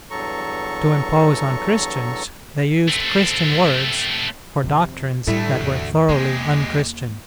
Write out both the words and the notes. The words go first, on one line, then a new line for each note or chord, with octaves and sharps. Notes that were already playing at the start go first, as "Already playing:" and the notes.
To impose on Christians they used Christian words for doctrines that were thoroughly unchristian.
E2 G2 F#3 A4 A#5 C#6
A3 C4
F2 C3 D#3
D2 A2 G3 A3 E4 A4
E2
G#3 A#3 G4